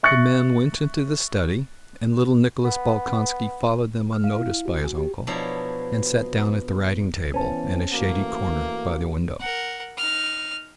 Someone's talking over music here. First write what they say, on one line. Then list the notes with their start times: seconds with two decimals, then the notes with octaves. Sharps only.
The men went into the study and little Nicholas Bolkonski followed them unnoticed by his uncle and sat down at the writing table in a shady corner by the window.
0.03 E5 C#6 F#6 A6 A#6 C#7
2.64 B3
4.13 F6
4.24 F5
4.36 E4
4.65 F#4
4.84 G#5
4.98 G4
5.27 B2 F3 F#3 D4 E4
7.34 E3 B3 C#4 C5 A5
7.93 E3 A3 A#3 F#4
9.40 A#4 F#5
9.97 D#4 F6